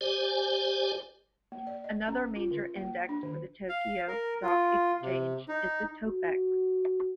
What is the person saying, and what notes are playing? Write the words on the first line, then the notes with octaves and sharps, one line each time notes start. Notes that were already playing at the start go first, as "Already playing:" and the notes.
Another major index for the Tokyo Stock Exchange is the Topix.
G4 C5 D5 G#5
A#3
D5
D#5
C#4
F4
D3
A#3
D4
D#3
F5
A#4
F4
C3
D#4
F#4